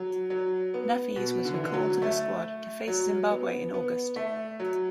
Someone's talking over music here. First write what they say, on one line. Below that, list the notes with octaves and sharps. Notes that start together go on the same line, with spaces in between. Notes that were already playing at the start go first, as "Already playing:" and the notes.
Nafees was recalled to the squad to face Zimbabwe in August.
Already playing: F#3
F#3
B3
B2
D3
E3
D3
F#3
A3
F#3
B3
B3
A3
F#3